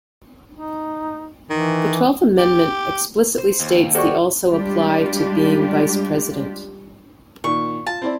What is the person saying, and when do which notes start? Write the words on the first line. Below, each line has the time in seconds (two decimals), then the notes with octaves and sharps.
The Twelfth Amendment explicitly states the also apply to being Vice President.
0.55 D#4
1.50 D#3 E3
2.38 G4
3.38 C5
3.60 D#2
3.95 G3 F#4 G4 A4 C5 D5 C#6
4.51 G3 G#3 D4 F4 G4
7.44 A#2 D#3 C#6
7.86 F4 A5
8.02 C4 E4 D5